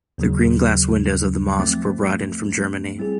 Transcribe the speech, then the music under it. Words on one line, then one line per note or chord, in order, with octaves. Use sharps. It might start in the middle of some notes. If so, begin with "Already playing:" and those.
The green glass windows of the mosque were brought in from Germany.
D#2 C#3 F#3
F3 A3 C4
G3 C4 E4 G#4